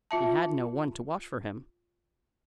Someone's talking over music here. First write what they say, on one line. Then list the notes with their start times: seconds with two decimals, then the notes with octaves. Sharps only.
He had no one to wash for him.
0.11 F4 E5 A5